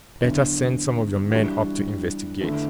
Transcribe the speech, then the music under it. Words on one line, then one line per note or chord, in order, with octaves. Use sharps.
"Better send some of your men up to investigate."
E2 D3 F#3 B3 D4
E3 G3 D4 F#4
E2 D3 A3 E4